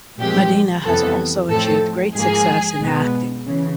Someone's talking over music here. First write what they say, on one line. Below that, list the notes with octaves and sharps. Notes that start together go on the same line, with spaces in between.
Madina has also achieved great success in acting.
A#2 F3 G#3 C4 G4
F2 C3 E3 G3 B3 A4
A2 F3 A3 C4 A4
G#2 F3 A#3 G#4
B2 G#3 B3
C#3 E3